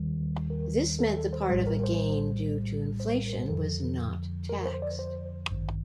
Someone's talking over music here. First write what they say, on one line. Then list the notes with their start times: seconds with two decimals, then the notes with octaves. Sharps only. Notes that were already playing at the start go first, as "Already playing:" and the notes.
This meant the part of a gain due to inflation was not taxed.
Already playing: D#2 D#3 G3
0.50 A#4
0.99 A4
1.17 A4
1.33 C5
1.49 A#1 A2 G3 C5
1.67 A#4
1.83 C5
3.00 C5
3.16 A#4
3.33 C5
3.49 F2 D3 F3 A4
4.49 A#4
4.66 C5
4.82 D5
4.99 C5
5.50 A1 G2 D#3